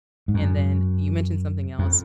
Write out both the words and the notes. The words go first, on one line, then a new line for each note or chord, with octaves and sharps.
And then you mentioned something else
G#2
F#2
F2